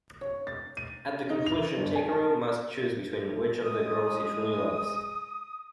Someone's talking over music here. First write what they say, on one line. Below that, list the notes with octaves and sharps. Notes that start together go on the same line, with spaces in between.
At the conclusion, Takeru must choose between which of the girls he truly loves.
C#5
A6
D#7
D#4
F7
G1
G#5
A5
G#3 D#6